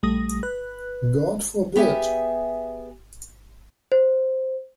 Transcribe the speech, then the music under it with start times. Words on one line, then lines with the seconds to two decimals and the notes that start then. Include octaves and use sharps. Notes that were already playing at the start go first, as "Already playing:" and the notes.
God forbid!
0.03 A#1 G3 A3 D#6 A#6
0.43 B4 F#6
1.76 B3 G4 G#4 E5 G#5
3.92 C5